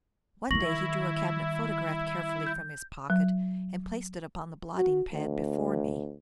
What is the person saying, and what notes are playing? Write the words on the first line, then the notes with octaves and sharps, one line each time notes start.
One day he drew a cabinet photograph carefully from his pocket, and placed it upon the blotting-pad before me.
D#3 G3 E4 C#6 A#6 F#7
G6
F#3
F#4
D2